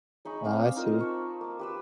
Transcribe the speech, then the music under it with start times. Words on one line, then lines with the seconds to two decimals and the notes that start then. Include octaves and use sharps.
Ah, I see.
0.25 G#3 D#4 B5 C#6
0.44 C4 D5 F5 G5
0.76 D#4 F4 A#4
1.00 C5 A5 B5 C#6
1.41 A#3 D6
1.59 G4 B4 E6